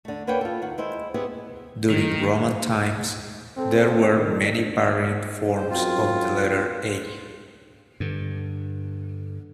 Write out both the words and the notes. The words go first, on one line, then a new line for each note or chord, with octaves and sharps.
During Roman times, there were many variant forms of the letter "A".
D3 A3
A#3 B4 C#5 F#5 G5
F4 A4
D#3 F#5
G#3 E4 C5
B3 E4 G4 G#4
D#3
C4 A4
D#3 D4
C5
F#2 F#3 C4 F4
G2 D3